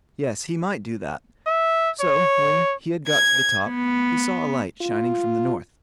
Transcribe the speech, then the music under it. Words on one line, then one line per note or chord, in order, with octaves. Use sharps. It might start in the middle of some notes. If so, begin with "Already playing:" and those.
Yes! he might do that; so when he had got to the top, he saw a light shining from the north.
E5
C#5
G#6
B3
F4